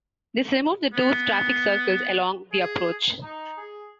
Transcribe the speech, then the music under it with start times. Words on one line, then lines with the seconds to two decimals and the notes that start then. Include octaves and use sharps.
This removed the two traffic circles along the approach.
0.93 B3
2.52 G#4
3.23 D#4
3.57 G#4